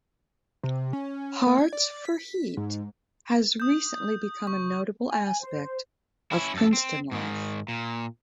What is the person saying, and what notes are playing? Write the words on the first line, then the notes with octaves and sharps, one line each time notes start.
Hearts for Heat has recently become a notable aspect of Princeton life.
C3
C#4
A#3
G#6
D5
B6
G#2
D#6 G6
C#6
G#5
C5
C#4 E4
F#2 A4
C4
G#2 D#3
A#2